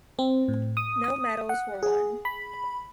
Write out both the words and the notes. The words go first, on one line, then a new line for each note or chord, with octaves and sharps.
No medals were won.
C4
A2
D#6
D#6
F#5
G#4
B5